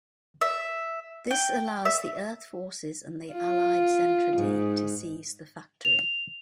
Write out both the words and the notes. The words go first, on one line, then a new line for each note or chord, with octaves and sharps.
This allows the Earth forces and the allied Zentradi to seize the factory.
E5
G5
E5
F4
G#2
F7